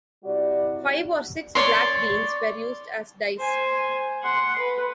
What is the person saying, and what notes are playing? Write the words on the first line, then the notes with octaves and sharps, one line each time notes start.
Five or six black beans were used as dice.
C3 G3 E4 F#4 D5
C#5 D5 C6
C5 G#5
F#5 C6
B4